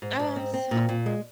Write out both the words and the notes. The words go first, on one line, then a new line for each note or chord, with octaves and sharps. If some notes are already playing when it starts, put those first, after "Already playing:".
Oh, I'm so
G#2
G#2
C4
C4
A#2
A#2
G#3